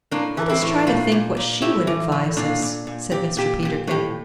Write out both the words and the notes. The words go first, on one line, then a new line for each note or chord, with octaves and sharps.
"Let us try to think what she would advise us," said Mr. Peterkin.
A2 A#3 D4
E3
C4 E4
A2
A#2 D4 F4
A#2
A#2
A2 E4 G4
E3
A2
A#2 D4 F4
A#2
A#2
A#2 G4
A#2 G4
A#2 G4
A2 G4